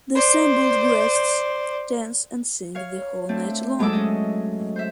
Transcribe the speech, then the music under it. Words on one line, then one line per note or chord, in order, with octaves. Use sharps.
The assembled guests dance and sing the whole night long.
C5 D5
C#5 F5
A3 C4 D4
F#3 G#3 A3 A4 D6 E6
C#4 D#5
C5 E5